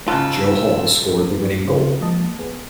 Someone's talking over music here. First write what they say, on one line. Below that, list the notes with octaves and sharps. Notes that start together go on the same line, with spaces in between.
Joe Hall scored the winning goal.
G#2 C#3 F4 A5 E6
C#3 C4 F4
F3 G#3 A#3 D#5 A5
B3 G#4